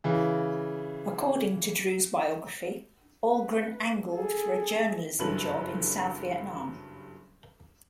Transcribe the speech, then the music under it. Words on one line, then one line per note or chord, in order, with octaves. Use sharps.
According to Drew's biography, Algren angled for a journalism job in South Vietnam.
C#3 E3
B4
G#4 A4
F#1 G2 F#3 A4 B4 F#7